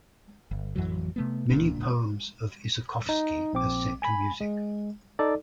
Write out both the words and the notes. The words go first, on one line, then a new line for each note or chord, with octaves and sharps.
Many poems of Isakovsky are set to music.
G1
A1 F2 E3 F#3
C3 A3 B3
D1 C#2 A#2 D4
D#4
A#1 C4 D6
G#5 B5
G#3
D#4 A4 D5